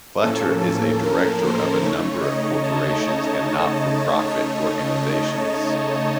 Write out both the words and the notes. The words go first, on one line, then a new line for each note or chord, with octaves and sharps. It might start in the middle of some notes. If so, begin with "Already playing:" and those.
Futter is a director of a number of corporations and not-for-profit organizations.
A2 F3 A#3 C#4 A4
A#4
C5
C#3 A3 D#4 C#5
D#5
A5
A5